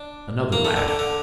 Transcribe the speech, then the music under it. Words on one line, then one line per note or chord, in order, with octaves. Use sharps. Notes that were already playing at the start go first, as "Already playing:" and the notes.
Another laugh.
Already playing: D4
A#3
A3
D3
D3
D3